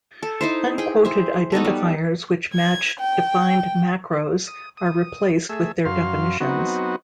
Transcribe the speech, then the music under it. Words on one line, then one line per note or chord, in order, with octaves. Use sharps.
Unquoted identifiers which match defined macros are replaced with their definitions.
A4
D#4 E4 C5
G#4 G5
C5 E5
B3 D#4 F#4 A4
G3
G#6
G5
D#6
D#6
A3 G#4 E5
F#2 F5 C6
F#3 B3 C4 D#4 F#4